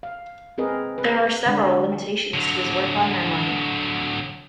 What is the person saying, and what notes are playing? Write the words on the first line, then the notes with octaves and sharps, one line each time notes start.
There are several limitations to his work on memory.
F5
C4 G#4 A#4 B4 D#5
B4
D3 G#3 D4
D3 F#3